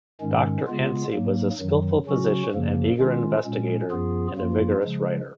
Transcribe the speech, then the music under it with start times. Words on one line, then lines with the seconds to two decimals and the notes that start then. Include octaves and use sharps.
Doctor Anstie was a skilful physician, an eager investigator, and a vigorous writer.
0.21 G#2 D#3 G#3 C#4
0.67 C#3 G#3 B3 F4
1.13 G#2 F#3 A#3
1.59 F#2 D#3 F#3
2.06 C#3 F#3 C#4 F#4
2.52 F#2 C#3 F3 A#3
2.98 D#3 G#3 C#4 F4
3.45 A#2 G#3 C#4
3.91 F#2 F3 B3 F4 G#4
4.36 F#2 F3 A#3 F4
4.84 C#3 F3 G#3